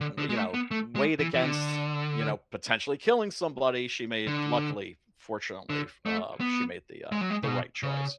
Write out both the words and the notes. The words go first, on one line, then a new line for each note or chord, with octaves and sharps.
w you know, weighed against, you know, potentially killing somebody, she made luckily, fortunately f uh, she made the, uh the right choice.
D3
D3
G#3
A3
B3
A3
G#3
E3
E3
D3
D3
D3
A3
B3
G#3
F#3
G#3
C#3
B2
C#3